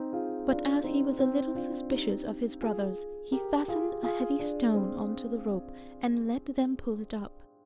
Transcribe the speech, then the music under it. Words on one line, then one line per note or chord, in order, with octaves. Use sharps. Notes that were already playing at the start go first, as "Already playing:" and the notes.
But as he was a little suspicious of his brothers, he fastened a heavy stone on to the rope and let them pull it up.
Already playing: C4 D#4
F4 G#4
D4 F4
C4 D#4
C4 D#4
D4 F4
D#4 G4
F4 G#4
G4 A#4
F4 G#4
F4 G#4
D4
C4